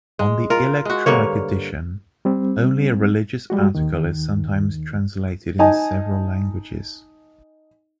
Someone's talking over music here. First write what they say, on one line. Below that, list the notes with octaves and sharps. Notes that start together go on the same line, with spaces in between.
On the electronic edition, only a religious article is sometimes translated in several languages.
G#3
F4 A#4
G#3 F#4
G2 D3 A#3 C#5
G3 C4
G3 G#3 F#4
D#2 D#3
D#4 D#5 G#5 A5